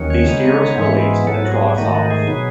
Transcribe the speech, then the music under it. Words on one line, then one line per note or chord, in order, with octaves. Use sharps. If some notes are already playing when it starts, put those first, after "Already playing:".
The steer is released and trots off.
Already playing: D#2 D#3 F#3 C#4
C#5
C#3 G#3 B3 D#4
G#2 E3 G#3 B3
G#2 F#3 B3 A4
F#4
G#4
G#2 D#3 A3 D#4 F#4
F#4
G#4
B2 F#3 B3